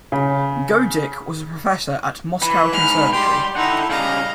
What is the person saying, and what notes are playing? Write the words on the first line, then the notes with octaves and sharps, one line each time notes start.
Goedicke was a professor at Moscow Conservatory.
C#3
E3 B4
G#2 F6
G3 G4 G5 C6
D#4 E4 A4 F#5
C#3 G3 D#5 F5 A#5